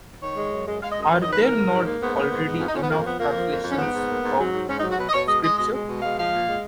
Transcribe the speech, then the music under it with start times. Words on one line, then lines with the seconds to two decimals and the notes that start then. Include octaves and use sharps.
Are there not already enough translations of Scripture?
0.21 D#3 C#5
0.36 G#3
0.51 F#2
0.65 G#3
0.80 G#3 F5
0.90 D#5
0.95 F#2
1.01 D#5
1.10 F#2
1.20 D#5
1.25 D#3 B4
1.40 A#3 A#4
1.55 G#2
1.70 G#2
1.85 A#3
1.99 G#2 B3
2.14 A#3 B3
2.29 G#2
2.45 G#2
2.59 F2 F4
2.67 D#4
2.74 F2 C#4
2.82 B3
2.89 F2 A#3
3.04 F3 B3
3.18 F2 A#3
3.33 F3
3.48 F2
3.63 F2
3.70 C#4
3.78 G#2 B3
3.93 G#2
4.08 A#3
4.22 G#2
4.38 F#3
4.53 G#2
4.67 G#2 C#4
4.77 D#4
4.82 F#3
4.88 F#4
4.97 B2 B4
5.08 D#5
5.12 B2 C#5
5.27 G#3 D#5
5.42 G#3 D#5
5.57 B2 D#5
5.71 G#3
5.87 B2
6.01 G#3 F5
6.16 F3 F5
6.31 A#2
6.46 G#3